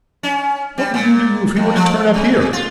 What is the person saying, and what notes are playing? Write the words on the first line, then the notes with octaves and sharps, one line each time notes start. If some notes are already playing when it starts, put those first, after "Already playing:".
What would you do if he were to turn up here?
C#4
G3
A#2
F2
F3
C3
F4